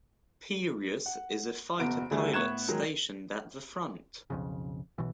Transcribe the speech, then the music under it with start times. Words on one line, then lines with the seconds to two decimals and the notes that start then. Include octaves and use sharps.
Pirius is a fighter pilot stationed at the front.
1.06 F#5
1.79 F#1 E2 B2 F#4 D7
2.11 D2 D3 G3 A3 G#4
2.33 A2 B3 C#6 F#6 G#6 E7
2.68 D#3 F#3 G#3
4.30 B1 F2 C#3
4.98 B1 B2 E3